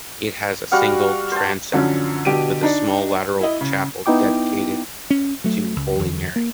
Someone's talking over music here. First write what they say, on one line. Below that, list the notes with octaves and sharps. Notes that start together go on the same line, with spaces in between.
It has a single transept, with a small lateral chapel dedicated to Holy Mary.
G3 F#4 F5 F#5
C5 A5
F#2 D3 F3 F#3 C#4
B2 D3 G4 D7 D#7
D4 D#4
E4 D#5
C#3
B3 D#4 E4 G5 D6
C#4
F#3 A3
C#2
E2 D3
A#3